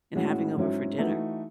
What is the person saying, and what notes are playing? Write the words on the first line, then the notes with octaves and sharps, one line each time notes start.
and having over for dinner?
A2 G#3 C#4 F#4
G#2 F#3 C#4 E4
E3 A3 D#4 F#4